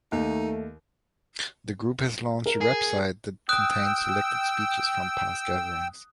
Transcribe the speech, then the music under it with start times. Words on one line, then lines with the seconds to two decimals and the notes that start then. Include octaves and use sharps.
The group has launched a website that contains selected speeches from past gatherings.
0.12 D#2 A3 D#4
2.46 A#4
2.61 G#4
3.49 G5 D#6 E6 F#6